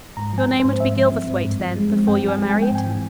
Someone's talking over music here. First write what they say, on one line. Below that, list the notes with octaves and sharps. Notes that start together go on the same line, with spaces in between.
"Your name would be Gilverthwaite, then, before you were married?"
G#2 A#5
F3
G#5
C4
C5
G#2
G#2 E5
F3
C4
G#2
G2
F3
G#3
C4
G2 G5
F3
G#5
G#3
G#5
C4
G5
G#2 G#5
E3